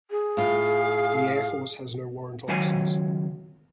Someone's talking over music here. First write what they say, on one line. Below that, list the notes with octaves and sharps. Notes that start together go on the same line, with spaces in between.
The Air Force has no warrant officers.
G#4
A2 F4 F5
C#2 D#3 F#3 C5 F5 G#5